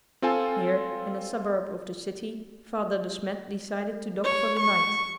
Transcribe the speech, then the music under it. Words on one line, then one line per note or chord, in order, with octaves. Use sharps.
Here, in a suburb of the city, Father De Smet decided to dock for the night.
C4 F4 A4 G#5
C#5
C#6